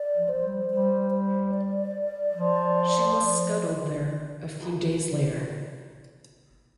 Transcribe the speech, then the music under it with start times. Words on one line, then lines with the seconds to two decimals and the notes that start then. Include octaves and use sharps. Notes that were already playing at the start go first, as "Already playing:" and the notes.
She was scuttled there a few days later.
Already playing: D5
0.16 F3
0.29 C5
0.43 G3
0.70 G3 C5
1.11 C5
1.52 D5
2.34 F3